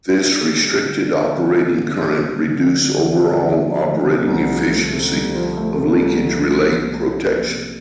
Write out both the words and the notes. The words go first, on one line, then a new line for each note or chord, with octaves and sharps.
This restricted operating current reduce overall operating efficiency of leakage relay protection.
D4
G4
G3
D3
D4
G4
G3
D3
D4
G4
G3
D3
D4
G4
G3
D3
F3
A3
C3
C2
F3
A3
C3
C2
F3
A3
C3
C2
F3
A3
C3
C2
F3
A#3
C3